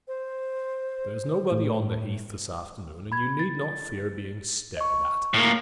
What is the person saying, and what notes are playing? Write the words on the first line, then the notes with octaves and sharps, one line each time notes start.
There is nobody on the heath this afternoon, and you need not fear being stared at.
C5
A2
B5 G#6
A6
D#5 C#6
A2 A#3